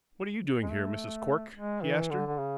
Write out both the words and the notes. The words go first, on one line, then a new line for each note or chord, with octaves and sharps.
"What are you doing here, Mrs. Cork?" he asked her.
G#3
A3
G#3
E3
D3
D3
C#3